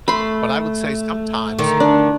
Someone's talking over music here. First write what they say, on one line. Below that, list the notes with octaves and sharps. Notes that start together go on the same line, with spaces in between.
but I would say sometimes
A3 B5 C6
D3 D#3
D4